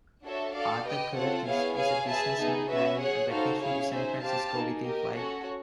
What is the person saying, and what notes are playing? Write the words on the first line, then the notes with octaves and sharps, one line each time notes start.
Arthur Curtis is a businessman planning a vacation to San Francisco with his wife.
D4 F#4 A4 C#5 E5
F#4 A4 D5 F5
G4 B4 D#5 G5
C4 F4 A4 C#5 F#5
B3 E4 G#4 C#5 F5
G#4 C#5 F5 G#5
G#4 B4 E5 A5
B3 D#4 G#4
C#4 F#4 B4 E5
G#4 C#5 F#5
D#4 F#4 A4 C5 F5
C#4 E4 G#4 C#5 F5
D#4 G#4 C5 E5
G4 C5 F5 A5
A#3 D#4 G#4
G4 A#4 D#5
C#4 F#4 A4 C#5 F#5